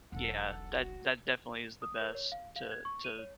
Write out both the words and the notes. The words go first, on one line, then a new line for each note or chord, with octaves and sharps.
Yeah, that that definitely is the best to to
E1 B1 A4 F#5
F#4
D#6
A#4
C#5
F5
F5
G#6
C#6
D#7
C#5